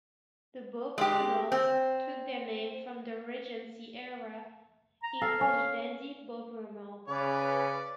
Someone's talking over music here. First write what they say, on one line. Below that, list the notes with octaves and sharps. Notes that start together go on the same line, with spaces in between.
The Beau Brummels took their name from the Regency era English dandy Beau Brummel.
G#3 G4
C4
A#5
A4 F5
C#4
C#3 C#4 B4 D5